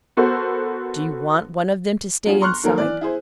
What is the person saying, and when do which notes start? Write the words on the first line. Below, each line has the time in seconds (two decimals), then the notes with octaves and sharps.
Do you want one of them to stay inside?
0.17 B3 F#4 A4 A#4 C5
2.26 F#3 G3 D4 F4 G#4
2.41 A#5 C6 C#6 F6 F#6
2.63 D#3 F#3 A#3 A4 A#4
2.78 E3 D5
3.01 E4 G#4 C5